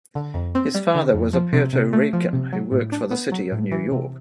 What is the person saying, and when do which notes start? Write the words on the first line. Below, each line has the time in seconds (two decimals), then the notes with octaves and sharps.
His father was a Puerto Rican who worked for the City of New York.
0.15 D3
0.34 F2
0.55 C4
0.75 G3
0.94 D3
1.14 F2
1.33 F3
1.53 C3
1.73 C3
1.93 A3
2.13 F3
2.33 C3
2.53 F#3
2.72 A2
2.92 D4
3.11 B3
3.32 F#3
3.52 A2
3.72 E3
3.91 C3